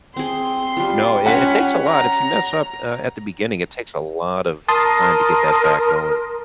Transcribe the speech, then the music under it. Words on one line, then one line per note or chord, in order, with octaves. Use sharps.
No. It it takes a lot, if you mess up, uh, at the beginning, it takes a lot of time to get that back going.
C4 G#4 C6
G3 F4
C#4 B4 F#5 B6
A#5
A#4 A5 C6 D#6